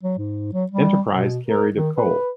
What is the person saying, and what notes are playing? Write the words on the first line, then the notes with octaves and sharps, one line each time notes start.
"Enterprise" carried of coal.
F#3
G#2
F#3
G3
B2
A#4
D#3
B4